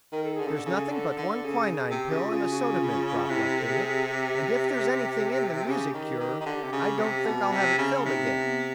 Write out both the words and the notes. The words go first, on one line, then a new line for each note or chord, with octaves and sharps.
There's nothing but one quinine pill and a soda-mint drop left in it, and if there's anything in the music cure, I don't think I'll have it filled again.
D#3 A#4
A4
G#4
D3
C#3 A4
D3
C#3
D3
D3
C#3
G#4
C3
G4
C#3
F4
C#3
F#4
F4
F4
F4
F4
C3 E4
A4
G#4
G#4
G4
C#3 G4
D#3
D#3
D#3
D3
C3
C#3
C3
B2
C3
C#3
C3 D#4
C4
B3